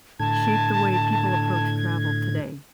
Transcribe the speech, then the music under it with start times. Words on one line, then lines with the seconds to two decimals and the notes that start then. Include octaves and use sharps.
shape the way people approach travel today?
0.20 A2 D3 A5 G#6